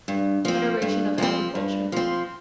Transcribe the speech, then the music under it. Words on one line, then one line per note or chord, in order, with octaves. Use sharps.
Federation of Agriculture.
G2
F3 C4
G2
F3 C4
G2
F3 C4